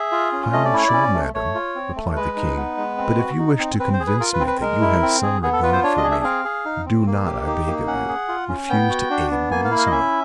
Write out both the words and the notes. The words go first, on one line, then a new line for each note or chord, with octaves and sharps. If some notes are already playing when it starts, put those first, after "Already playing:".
"Time will show, madam," replied the King; "but if you wish to convince me that you have some regard for me, do not, I beg of you, refuse to aid Bellissima."
Already playing: G#4 E5
F4
C#4
A3 D#5
D5
E4 C#5
D5
C#4
A3
A3 C#5
F4
C4
A3
G#3 B4
D#4
B3
G#3
C4
F#4
D#4
C4
C4 B4
C5
G#4
B4
F4 A#4
B4
C4
B4
G#3 A#4
E4
C4
G#4
B3 G#4
A4
F4 B4
C5
D4 C#5
D#5
G#4
E5
C4 F5
G#4
D#4
C4
A#3
G4
D#4
A#3
C#4 F#5
G#4
F4
C#4
B3 G5
F#4
D4
B3
A#3 G#5
F5
E4
F5
D#5
C#4 E5